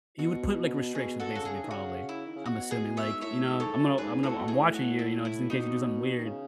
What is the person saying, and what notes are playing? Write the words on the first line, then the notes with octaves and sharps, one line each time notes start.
he would put, like, restrictions, basically, probably, I'm assuming, l ike, you know, "I'm gonna I'm gonna I'm watching you, you know, just in case you do something weird."
B2 F#4
B2 G#4
B2 F#4 A4
C#3 F#4
G#4
D#3
C#3 F#4
E4
D#3
C#3
B2 F#4
G#4
C#5 E5
G#2
A2 C#5 E5
G#2
A4 C#5
F#2
G#2 G#4 B4
A2 F#4 A4
B2
A2 G#4
A2 F#4
E4
E4
B2 D#4
D#3
C#3